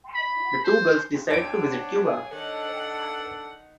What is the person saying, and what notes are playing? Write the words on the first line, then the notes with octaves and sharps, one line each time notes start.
The two girls decide to visit Cuba.
B5
C5
G3 D4 C#5 F#5 D7
G#4
D#3 D4 A4 F#5